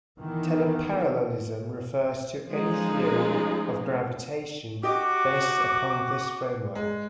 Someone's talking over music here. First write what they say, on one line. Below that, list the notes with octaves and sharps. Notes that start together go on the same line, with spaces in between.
Teleparallelism refers to any theory of gravitation based upon this framework.
D#3 E3 B3
F3 G#3 C#4 D#4
F#4 G4 D#5 D6
G#3